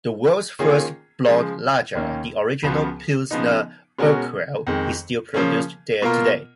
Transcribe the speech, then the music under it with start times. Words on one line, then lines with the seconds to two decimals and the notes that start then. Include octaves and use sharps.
The world's first blond lager, the original Pilsner Urquell, is still produced there today.
0.59 D#3 A#3 C#4 F4 G#4
1.27 C#3 F3 G#3
1.95 D#2 D#3 A#3 C#4
2.63 C#2 C#3 F3 B3 F#4
3.31 C#3 F3 B3 D#4
3.99 B2 G#3 C#4 F#4 A#4
4.67 F2 D#3 G#3
5.34 C#3 F3 A#3 C#4
6.02 B2 A#3 F4 A#4